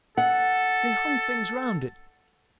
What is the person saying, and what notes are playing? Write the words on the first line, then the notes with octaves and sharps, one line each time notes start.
They hung things round it.
A4 F#5